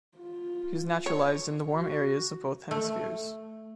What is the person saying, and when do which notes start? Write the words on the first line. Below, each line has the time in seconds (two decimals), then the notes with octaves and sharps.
He was naturalized in the warm areas of both hemispheres.
0.18 F4
1.06 C#5
1.72 F#4
2.71 A3